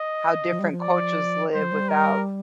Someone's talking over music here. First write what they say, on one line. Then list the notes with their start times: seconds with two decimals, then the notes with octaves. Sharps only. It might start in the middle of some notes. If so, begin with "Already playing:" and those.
how different cultures live without,
Already playing: D#5
0.45 F3
0.59 G3
0.72 F3
0.82 D5
1.54 G3 C5
1.62 F3
1.72 G3
1.89 A#4